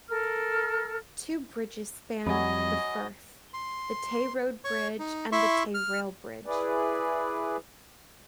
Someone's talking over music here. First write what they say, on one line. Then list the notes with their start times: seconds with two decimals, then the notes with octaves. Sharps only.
Two bridges span the firth, the Tay Road Bridge and the Tay Rail Bridge.
0.08 A4 A#4 F6
2.27 F2 F#3 G3 D#5 G#5 B5
3.54 C6
4.64 C#5 C#6
4.99 D#4
5.32 E4 E5 C6 C#6
5.74 F6
6.46 E4 G#4 B4 D5